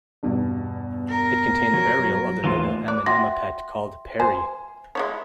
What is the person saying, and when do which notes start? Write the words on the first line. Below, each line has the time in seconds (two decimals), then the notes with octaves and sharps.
It contained the burial of the noble Amenemopet called Pairy.
0.23 E2 G2 B2
1.09 A#4
1.74 F#3
2.44 D#2 A2 E3 F4 C6
2.88 D5 F#6
3.06 F#4 E5 G5 C6 A#6
4.20 C5 G#5
4.95 G#3 E4 C#5